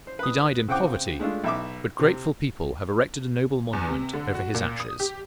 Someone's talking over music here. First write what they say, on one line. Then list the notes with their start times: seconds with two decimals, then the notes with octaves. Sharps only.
He died in poverty, but grateful people have erected a noble monument over his ashes.
0.07 C5
0.19 B4 D#6
0.68 C#3 C4 F#5 G5 D6
1.20 G#3 A3 D4 F4
1.44 B1 E5 D6
1.99 C3
3.73 E2
3.88 C3
4.14 D3
4.35 F#4
4.54 A#2
4.80 D#6
5.00 G4